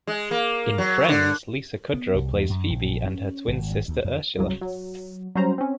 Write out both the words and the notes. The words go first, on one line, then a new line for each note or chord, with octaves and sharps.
In "Friends", Lisa Kudrow plays Phoebe and her twin sister Ursula.
G#3
A#3
F#3
D3
B3
C2
E2
F#2
A#1
C#4
G#1
D2
F2
C2 C#3 F#3
F#3
F#3 G3 C#4 C5 A#5
C4 C#4